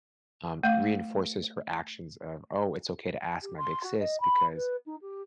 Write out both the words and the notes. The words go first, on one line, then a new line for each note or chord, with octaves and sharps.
um, reinforces her actions of, "Oh, it's okay to ask my big sis because,
A3 F5
G4
C6
F#4
D#5
B5
B4
D#4
G4